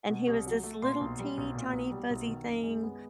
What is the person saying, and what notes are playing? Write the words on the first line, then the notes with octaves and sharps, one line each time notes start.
and he was this little, teeny, tiny, fuzzy thing
B2
C2
F#3
A3
A#2 C6
B1
G3
B1
A#2
B1
G3
B1
D#3
F#2
G#3
B3